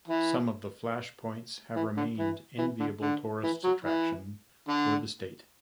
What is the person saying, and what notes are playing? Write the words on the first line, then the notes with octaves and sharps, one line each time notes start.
Some of the flash points have remained enviable tourists' attraction for the state.
E3
E3
D3
E3
E3
D3
D3
E3
F#3
E3
D3